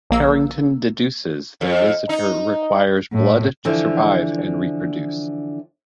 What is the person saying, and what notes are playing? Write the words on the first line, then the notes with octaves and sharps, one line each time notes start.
Carrington deduces their visitor requires blood to survive and reproduce.
A#1 A#3 E6
F2
D#4
A2
D3 E3 F3 C5 E5 F5